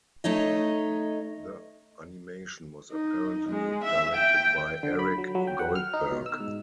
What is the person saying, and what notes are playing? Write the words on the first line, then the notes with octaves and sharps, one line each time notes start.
The animation was apparently directed by Eric Goldberg.
A3 D#4 C#5 D#5
D#4
G#3
E5
G5
D3
B5
F#3
F#3
G5
F#5
F6
D#4
B2
E6
G#2